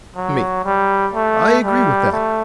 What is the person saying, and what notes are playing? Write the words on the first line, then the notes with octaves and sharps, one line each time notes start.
ME: I agree with that.
F#3
G3
A3
G3
A3